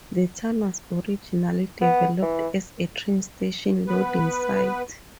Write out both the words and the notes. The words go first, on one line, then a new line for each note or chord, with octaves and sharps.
The town was originally developed as a train station loading site.
B3
E3
B3 B4